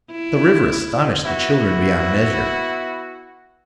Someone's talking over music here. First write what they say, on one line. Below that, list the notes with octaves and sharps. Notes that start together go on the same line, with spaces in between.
The river astonished the children beyond measure.
E4
B3 E4 F#4